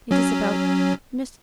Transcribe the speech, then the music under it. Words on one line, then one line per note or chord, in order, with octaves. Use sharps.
It is about--Mr.
F#3 C#4